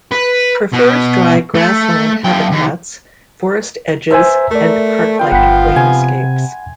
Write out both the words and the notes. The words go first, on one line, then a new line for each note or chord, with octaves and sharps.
Prefers dry grassland habitats, forest edges, and park-like landscapes.
B4
B2
A3
F#2 G5
D#2
B4 C5 E5 G#5 A#5
A3 A#4 D5
F3 B3 F4 G5 C6
G1 F#5 B5 B6
C3 G#5